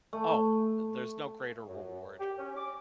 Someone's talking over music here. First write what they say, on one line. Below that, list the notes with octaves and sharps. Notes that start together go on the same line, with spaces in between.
Oh, there's no greater reward.
A3
F#2
G4
C#4
D6